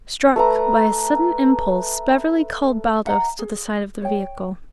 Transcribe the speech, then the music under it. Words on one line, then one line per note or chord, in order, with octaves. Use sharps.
Struck by a sudden impulse, Beverly called Baldos to the side of the vehicle.
A3 B4 A#5
E5 F#5 G5 A#5
G#4
C#5 G5